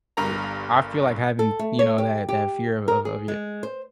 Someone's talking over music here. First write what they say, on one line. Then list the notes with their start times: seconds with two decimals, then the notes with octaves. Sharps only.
eh, I feel like having, you know, that that fear of of of
0.17 G1 G2 A#4 A#5
1.39 A4
1.59 A3
1.79 C#5
1.98 G4
2.29 G4
2.88 A#4
3.05 G#4
3.28 G#3
3.63 C5